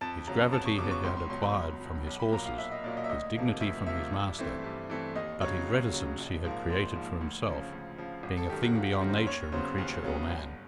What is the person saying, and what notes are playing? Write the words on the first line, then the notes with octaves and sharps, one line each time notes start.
His gravity he had acquired from his horses, his dignity from his master; but his reticence he had created for himself, being a thing beyond nature in creature or man.
F2 A5
C#3 F#3 B3 A#5
F2 A5
C#6
C#3 F#3 B3 D6
C#6
C#2 C6
C6
B2 F#3 C6
B5
C#2
B2 F#3
B1
B5
A#2 F#3 A#3 A#5
F5
B1 E5
D#5
A#2 F#3 A#3 D5
D#5
E5
D2 D#5
C3 F3 A#3
D2 E5
C3 F3 A#3 E5
G2
E3 A3 C4
G2
E3 A3 C4
D#2 D#5
C#3 F#3 C#5
D#2
C#3 F#3
A#1
G#2 F3 A#3
A#1 C5
G#2 F3 A#3
D2
C#3 F3
D2
C#3 F3
G#1
A4
F#2 D#3 G4
F#4
G#1 F4
G4
F#2 D#3
C5
D#2 C#5
C#3 F#3 B3 C5
D#2
C#3 F#3 B3
G1